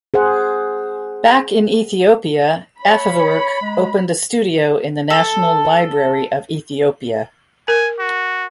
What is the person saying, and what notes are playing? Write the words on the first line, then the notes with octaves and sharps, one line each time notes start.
Back in Ethiopia, Afewerk opened a studio in the National Library of Ethiopia.
G#4 C5 F#5
C#5 B5
C#5
G#3
A4
A#4 G#5
F#4